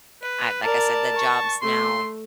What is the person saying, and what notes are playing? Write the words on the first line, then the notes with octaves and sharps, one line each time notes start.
I like I said, the jobs now
B4
A#4 D5 A5
C#6
A3 C6